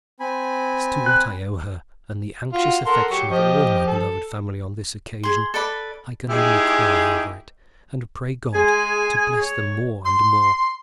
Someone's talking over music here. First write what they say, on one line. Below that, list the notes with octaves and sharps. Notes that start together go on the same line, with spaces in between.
As to what I owe her, and the anxious affection of all my beloved family on this occasion, I can only cry over it, and pray God to bless them more and more.'
C4 G#5 B5
F#6
F4 F#4
A4 A#4 F#5 C6
F#3 G4 C#6
F3 G4 D#5
A4
G#4 C6
A4 B4 D5 B5
G#3 D#4 E4 G4 G#4
G#3 G#4 G#5
C#5
C6